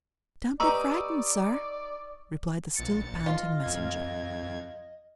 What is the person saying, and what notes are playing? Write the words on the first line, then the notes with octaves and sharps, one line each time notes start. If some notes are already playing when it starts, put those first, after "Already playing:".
'Don't be frightened, Sir,' replied the still panting messenger.
D#4 G4 B4 D5 A#5 C#6 D#6 E6
A#1 A6 C#7
F4 D#5
F2 G#6